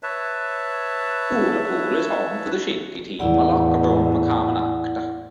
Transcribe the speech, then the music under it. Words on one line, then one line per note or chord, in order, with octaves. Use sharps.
Ullapool is home to the shinty team Lochbroom Camanachd.
B4 C#5 E5 A5
E2 A2 E4 D5 F#5